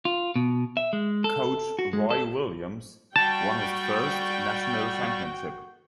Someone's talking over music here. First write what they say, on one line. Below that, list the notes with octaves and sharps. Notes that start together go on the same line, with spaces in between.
Coach Roy Williams won his first national championship.
F4
B2
E5
G#3
A4
F#4
G#3
A4
G3 F#4 D5 G5 A5 C#6